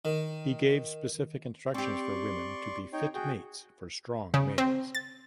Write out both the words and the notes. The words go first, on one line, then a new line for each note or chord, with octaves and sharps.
He gave specific instructions for women to be fit mates for strong males.
D#3
C4 G4 D5 C6 C#6
D#4 C#5 G5
F#4 G#4 G5
C#3
C4
A6